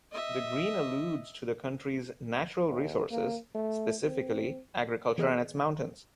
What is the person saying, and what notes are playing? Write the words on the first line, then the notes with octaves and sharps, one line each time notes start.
The green alludes to the country's natural resources - specifically agriculture and its mountains.
D#5 E5
D#2
A#3
A3
C4
E3 B3 G#4 D#5 F6 F#6